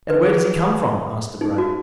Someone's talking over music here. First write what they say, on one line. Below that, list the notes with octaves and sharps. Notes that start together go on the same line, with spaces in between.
"And where does he come from?" asked Debray.
B4
G#4
D#4
F#4